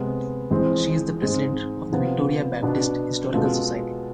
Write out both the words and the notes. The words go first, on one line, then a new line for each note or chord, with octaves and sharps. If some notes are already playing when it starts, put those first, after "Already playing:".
She is the President of the Victoria Baptist Historical Society.
Already playing: C3 G#3 B3
F2 E3 G#3 C4
G#2 G#3 C4
C3 F3 B3
B2 B3 D4
B2 G#3 B3 F4 A4